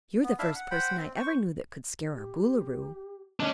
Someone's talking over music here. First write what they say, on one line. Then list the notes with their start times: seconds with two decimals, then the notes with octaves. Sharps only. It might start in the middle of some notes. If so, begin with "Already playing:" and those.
"You're the first person I ever knew that could scare our Boolooroo."
0.24 B3
0.39 D4 E4 E5 F5
0.55 F#5
0.71 C5 F#5 G5 B5
0.97 C4
1.16 C5 C#6
2.13 G4
3.40 C#4 D4 D#5